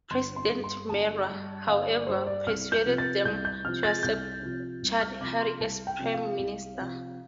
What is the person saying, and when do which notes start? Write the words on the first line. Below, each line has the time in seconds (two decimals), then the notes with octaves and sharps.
President Mara, however, persuaded them to accept Chaudhry as Prime Minister.
0.11 G1 C6
0.36 C6
0.51 G2 G3
0.64 C6
0.89 G1 A5
1.28 G2 G3
1.67 G1 F5
1.87 D5
2.07 G2 G3 C5
2.26 D5
2.46 C2 F6
2.72 G6
2.86 C3 F3
2.98 A6
3.25 C2 G6
3.45 G6
3.64 C3 F3 F6
3.83 A6
4.03 C2 G6
4.42 C3 F3
4.82 C2
5.01 F6
5.21 C3 F3 D6
5.41 C6
5.60 C2 A5
5.87 G5
5.99 C3 F3
6.13 F5
6.39 C2
6.78 C3 F3